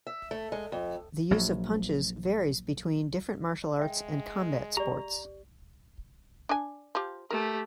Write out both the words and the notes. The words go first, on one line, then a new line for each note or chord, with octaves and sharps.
The use of punches varies between different martial arts and combat sports.
E5
A3
G#3
F2
A#1 F#3
G#3 E5 G5
G4 D5 A#5
D4 G#5
F3 G4
A3 G4 A#4